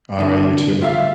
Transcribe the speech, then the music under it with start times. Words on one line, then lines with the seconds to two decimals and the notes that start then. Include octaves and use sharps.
Alright, you, too.
0.19 C2 D3
0.81 D2 F4 E5 F5